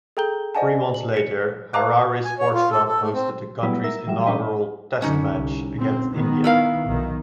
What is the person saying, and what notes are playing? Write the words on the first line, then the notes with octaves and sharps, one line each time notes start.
Three months later, Harare Sports Club hosted the country's inaugural Test match, against India.
G#4 A4 G5 A#5 G6 G7
C5 D5 D#5 F#5 G#5 A5
F#7
B6 C#7
B4 F5 A5 A#5 D6 F#6
G#5
C#5
F4
A4
A4
A3
C4
F#3 G3 B3 E4 B4
A#4 E5 E6
E3 F#3 G3 E5
C#4 D4 B4 D#5 G5
F#2 D3 C#4 D#4
C2
A#2 C4
D#3 B3
E4 A#4 F5
B1 D#3